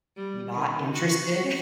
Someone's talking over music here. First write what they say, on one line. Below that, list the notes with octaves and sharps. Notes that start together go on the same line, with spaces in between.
not interested.
G3
D#3
F#4
F#4